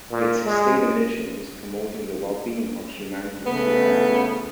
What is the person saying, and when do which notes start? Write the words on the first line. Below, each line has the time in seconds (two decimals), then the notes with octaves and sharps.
Its stated mission is promoting the well-being of humanity throughout the world.
0.11 A#2
0.44 G#3
3.46 C#3 A3 B3 B4